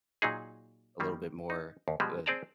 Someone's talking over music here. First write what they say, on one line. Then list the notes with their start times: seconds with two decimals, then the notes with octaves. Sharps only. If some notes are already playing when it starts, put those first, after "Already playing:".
a little bit more, uh,
0.22 A#2 F#3 D#4 G#4
1.00 D#3 G3 A#3
1.50 D#4
1.88 D#2
2.00 B2 F3 G3 G#3
2.26 C4 G#4 D5 A5 A#5